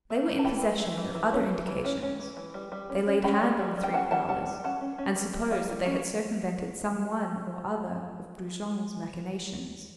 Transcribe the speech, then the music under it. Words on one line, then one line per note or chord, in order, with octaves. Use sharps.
They were in possession of other indications; they laid hand on the three prowlers, and supposed that they had circumvented some one or other of Brujon's machinations.
A3
E3
A5
E3 G5 B5
A3
A3
E3
E3
C#4
E3
E3
C#4
C#4
E3
E3
G3
G3
C#4
C#4
C#4 G5 B5
G3
G3
G3
G5
C#4 F#5 A5
G3 F#5 A5
G3 F#5 A5
G3
C#4 F#5 A5
C#4
C#4
G3
G3
G3
G3
C#4